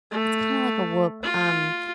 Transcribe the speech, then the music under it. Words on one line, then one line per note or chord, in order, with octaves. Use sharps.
It's kinda like a Whoop. Um,
A3
F4